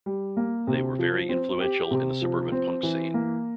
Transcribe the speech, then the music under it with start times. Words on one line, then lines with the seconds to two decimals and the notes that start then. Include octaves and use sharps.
They were very influential in the suburban punk scene.
0.06 G3
0.37 A#3
0.67 C3
0.99 F3
1.29 C4
1.60 G4
1.91 C3
2.22 F3
2.52 C4
2.83 E3
3.14 A#3